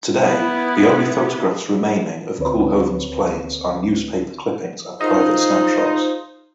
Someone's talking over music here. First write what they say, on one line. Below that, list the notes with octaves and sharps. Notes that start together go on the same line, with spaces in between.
Today, the only photographs remaining of Koolhoven's planes are newspaper clippings and private snapshots.
B3 E4
D2 D3 C4 B4 C#5
D#4 F4 G#4 C5